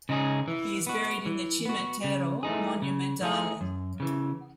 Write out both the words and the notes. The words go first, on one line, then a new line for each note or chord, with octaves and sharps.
He's buried in the "Cimitero Monumentale".
C#3 G#3 D#4 G#4
E3
B3 F#4
E3
B3 F#4
C#3
E3 A3 D#4 G#4
C#3
E3 A3 D#4 G#4
F#2
C#3 E3